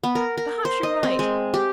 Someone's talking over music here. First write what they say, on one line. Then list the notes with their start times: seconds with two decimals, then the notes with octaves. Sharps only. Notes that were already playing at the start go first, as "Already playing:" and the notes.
Perhaps you're right.
0.03 B3
0.15 A#4
0.37 A#4
0.65 C5
0.83 D#5
1.03 C4
1.19 G#3
1.54 G4